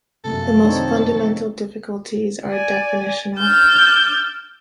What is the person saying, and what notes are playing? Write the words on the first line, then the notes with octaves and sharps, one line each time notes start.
The most fundamental difficulties are definitional.
A#1 F#2 C3 A3 A#3 A4
D#3 C4 D4 D#4 C#5
F2
D5 G#5
D6 E6 F6 G6 A6